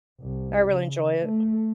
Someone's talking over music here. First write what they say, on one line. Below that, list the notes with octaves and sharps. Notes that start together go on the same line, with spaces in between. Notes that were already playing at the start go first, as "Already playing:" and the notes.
I really enjoy it.
C2
C#3
A3